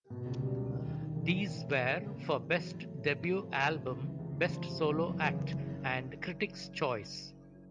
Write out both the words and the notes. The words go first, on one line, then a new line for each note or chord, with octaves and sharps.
These were for "best debut album", "Best solo act" and "critics choice".
B2
C#2
G3
C#2
D#2
E1
D#3
E1
E3
A2
A3
A2
C#3
A#3
F3
E2
F#3
A2
A3
A2
C3
A3
F3
C#2
C3
C#2
E3
C#2
E2
F3
C3
F#1
F#2
E3
C#3
F#1
F#2